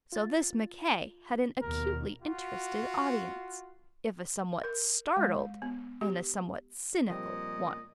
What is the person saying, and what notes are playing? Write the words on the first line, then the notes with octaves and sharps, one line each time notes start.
So this Mackay had an acutely interested audience, if a somewhat startled, and a somewhat cynical, one.
F4 A6
D#2 B2 A#4
F4 F#4
A#4
G#3
B3
G4
A#2 F3 G3 C4 D#5